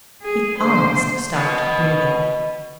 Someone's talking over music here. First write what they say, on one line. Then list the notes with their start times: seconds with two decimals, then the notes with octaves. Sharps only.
He almost stopped breathing.
0.22 G#4
0.58 D3 C5
1.35 B4 D#5